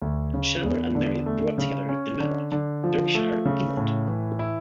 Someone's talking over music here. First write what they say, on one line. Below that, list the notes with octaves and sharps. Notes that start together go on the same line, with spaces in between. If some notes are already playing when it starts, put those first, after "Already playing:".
Chandler and Marriott grew up together in Matlock, Derbyshire, England.
D2
C#3
E2
D3
A3
C#3
C#4
D3
D3
F3
A3
C#3
A2
E3
E4